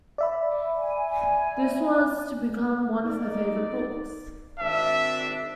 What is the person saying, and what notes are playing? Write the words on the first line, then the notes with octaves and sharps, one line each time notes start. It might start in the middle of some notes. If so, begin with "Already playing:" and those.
This was to become one of her favorite books.
D5 E5 B5
G#5
D#4 D5
G#1 D4 E5